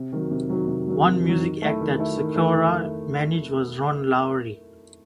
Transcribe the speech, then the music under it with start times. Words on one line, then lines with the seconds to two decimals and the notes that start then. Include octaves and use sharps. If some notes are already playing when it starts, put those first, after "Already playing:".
One music act that Sikora managed was Ron Lowry.
Already playing: C3
0.13 D#3 F#3
0.31 C3
0.49 D#3 F#3
0.68 C3
0.87 D#3 F#3
1.06 C3
1.24 D#3 F#3
1.42 D#3
1.62 A3 E4
1.81 D#3
1.99 A3 E4
2.17 D#3
2.36 A3 E4
2.55 D#3